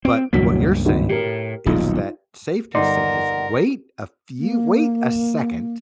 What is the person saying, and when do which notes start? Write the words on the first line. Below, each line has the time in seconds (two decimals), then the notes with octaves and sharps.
But what you're saying is that safety says, wait a few wait a second.
0.05 C4 D7
0.33 E1 C#2 G2 F#3 A#3 B6
0.86 G#1
1.09 A2 G4 A#4
1.66 D#1 B1 D#4 F4
2.75 G1 D#4 A#4 D5 F#5 C6
4.39 A#3